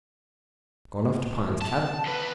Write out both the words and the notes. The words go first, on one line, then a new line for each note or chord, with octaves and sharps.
Gone off to Pine's cabin!
A5
E2 B4